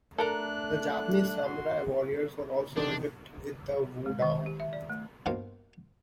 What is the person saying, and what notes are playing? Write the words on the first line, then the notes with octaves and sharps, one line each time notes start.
The Japanese samurai warriors were also adept with the wodao.
A3 D4 A4 A#4 A#5 F#6
F#4 C6
E2 C3 D#3 D4
G#3
D#3
G4
E5
D5
A3
G2 B2 A#3 C5 F5 F#5